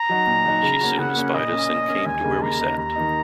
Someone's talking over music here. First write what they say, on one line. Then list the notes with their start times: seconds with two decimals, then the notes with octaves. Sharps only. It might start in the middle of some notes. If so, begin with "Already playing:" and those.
She soon espied us and came to where we sat.
Already playing: A#5
0.09 F#3 D#4 F#4
0.27 A#2
0.45 F#3 D#4 F#4
0.63 C#3
0.81 A#3 C#4 F#4
0.99 C#3 F#5
1.16 A#3 C#4 F#4
1.34 A#2 D#5
1.52 A#3 C#4
1.70 A#2
1.88 A#3 C#4
2.06 D#2 G#5
2.24 C#3 A#3 D#4
2.41 D#2 A#5
2.60 C#3 A#3 D#4
2.77 D#2 A#5
2.96 D#3 A#3 D#4